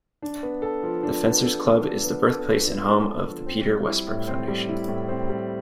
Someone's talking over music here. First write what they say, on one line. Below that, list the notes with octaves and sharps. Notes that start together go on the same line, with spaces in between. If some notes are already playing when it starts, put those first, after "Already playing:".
The Fencers Club is the birthplace and home of the Peter Westbrook Foundation.
D4
B3
A4
F3
D4
B3
A4
F3
D4
B3
A4
F3
D4
B3
A4
F3
C4
G3
E4
A2
C4
G3
E4
A2
C4
G3